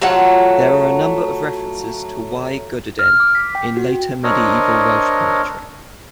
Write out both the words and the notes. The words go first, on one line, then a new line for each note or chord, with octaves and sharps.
There are a number of references to "Y Gododdin" in later Medieval Welsh poetry.
F#3 A3 F4 F#5
F6
D6
B6
G5
F#4
C4 D4 A#4 C#5 D#5